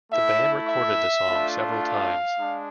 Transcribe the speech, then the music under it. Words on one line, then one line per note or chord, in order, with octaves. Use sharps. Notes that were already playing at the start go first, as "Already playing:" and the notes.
The band recorded the song several times.
A3 E4 E5
E5
A3 D4 F4
F5
G#3 D4